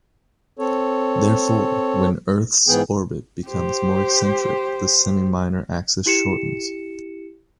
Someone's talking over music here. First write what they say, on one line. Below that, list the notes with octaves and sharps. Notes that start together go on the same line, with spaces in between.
Therefore, when Earth's orbit becomes more eccentric, the semi-minor axis shortens.
C4 A4 C#5
G#2 E3 B3 G#4 G5
G4 C5
E4 G4 C#7 E7